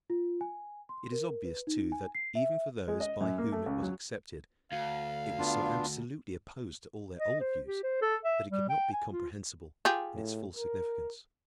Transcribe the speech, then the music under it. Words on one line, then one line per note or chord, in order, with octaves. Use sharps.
It is obvious, too, that even for those by whom it was accepted, it was so absolutely opposed to all their old views that it could not be comprehensible in its full significance.
F4
G#5
C6
A#4
B4
D#4
G#5
C7
E5
G#3
D#5
F#2
A#3
A3
C#2
F#3
D2 F5
B3 D4 F4
D#5
C5
G4
C5
A4
E5
G3
G5
G#5
F4
F4 G4 G#4
A2
A#4